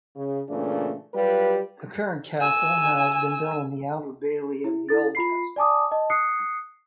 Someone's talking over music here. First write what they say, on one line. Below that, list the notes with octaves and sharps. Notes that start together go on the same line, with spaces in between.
The current castle has been built on the outer bailey of the old castle.
C#3
A#2 C#3 E3 A3 D4 F4
F#3 G3 F4 G4 B4
G#5 E6
E4
E4 A4 A6
F4 B5 C7
D5 G#5 A5 D6 D#6
D#5 A5
D#6 F#6 C7 C#7